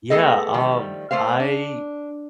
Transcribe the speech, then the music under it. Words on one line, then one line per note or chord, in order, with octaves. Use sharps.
yeah, um, I
A3 B3 G#4 A4 D#5
D#3 F3 G3 A3
A3 A#3 C5 F5
D4